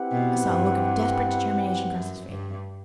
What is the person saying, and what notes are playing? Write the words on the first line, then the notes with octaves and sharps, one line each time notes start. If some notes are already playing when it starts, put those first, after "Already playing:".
I saw a look of desperate determination cross his face.
Already playing: C4 E4 G4 B4 F#5
B2
G2
F#2
G2